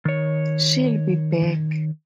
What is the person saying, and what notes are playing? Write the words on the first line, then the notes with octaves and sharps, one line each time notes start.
She'll be back.
D#3 C#5